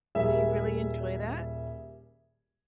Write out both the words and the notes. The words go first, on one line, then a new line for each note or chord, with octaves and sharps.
Do you really enjoy that?
D#1 G3 G#4 A#4 E5